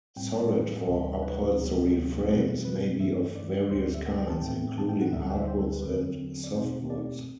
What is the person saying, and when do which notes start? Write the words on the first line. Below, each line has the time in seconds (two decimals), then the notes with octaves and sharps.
Solid for upholstery frames may be of various kinds, including hardwoods and softwoods.
0.16 A2 G3 C4 G5
0.34 A5
0.47 A4
0.52 B4
0.87 D2 C3 E3 G3
1.23 B4
1.58 D2 C3 F#3 B3
2.29 B2 G3 C4 B4
2.65 B4
3.00 G2 E3 A3 E5
3.36 D5
3.61 B4
3.71 D2 D3 A3 C4 C5
3.83 D5
3.95 E5
4.06 F#5
4.18 G5
4.30 A5
4.42 A2 E3 A3 C4 G5
4.78 A5
4.89 G5
5.01 F#5
5.13 D2 D3 G3 E5
5.22 F#5
5.30 G5
5.39 E5
5.48 C5
5.60 A4
5.73 B4
5.83 E2 D3 F#3 C4
6.44 D5
6.54 B2 A3 C4 C5
6.90 D5